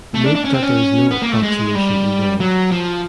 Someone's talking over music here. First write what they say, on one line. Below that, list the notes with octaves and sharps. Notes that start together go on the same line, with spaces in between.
Note that there is no approximation involved.
A3
D4
D4
C#4
C4
C#4
B3
A#3
A3
G#3
G3
F#3
F3